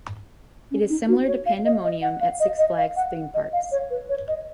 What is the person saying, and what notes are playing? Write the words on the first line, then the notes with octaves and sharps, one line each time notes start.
It is similar to Pandemonium at Six Flags theme parks.
C#4
D#4
F#4
C#5
F5
D#5
D#5
F#5
F5
D#5
D#5
F5
F#5
D#5
F5
C#5
B4
C#5
D#5